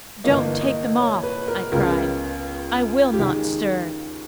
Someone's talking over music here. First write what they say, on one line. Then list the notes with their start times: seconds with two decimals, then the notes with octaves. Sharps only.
"Don't take them off," I cried; "I will not stir."
0.24 G1 G2 E3 A#3 D#5
0.61 D#5
0.99 C#5
1.23 B4
1.48 A#4
1.72 C#2 C#3 G#3 B3 A#4
3.13 G4
3.19 D#2 D#3 G#3 G#4